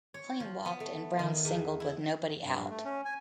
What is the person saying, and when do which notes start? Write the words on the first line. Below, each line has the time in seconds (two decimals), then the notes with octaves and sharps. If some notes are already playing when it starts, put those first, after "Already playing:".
Kling walked and Brown singled with nobody out.
0.14 C#5
0.40 F3
0.65 B3
0.80 A3
1.19 D#3
1.45 E2
1.80 E4
2.44 G2
2.70 A3
2.85 C#4
3.05 G#5